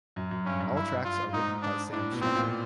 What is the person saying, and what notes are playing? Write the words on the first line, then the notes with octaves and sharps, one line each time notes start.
All tracks are written by Sam Shepherd.
F#2
F#2
G2 C#4
G2
E4
F4
G#2 D#4
D4
A2 D4
B2
A#2 C4
A#2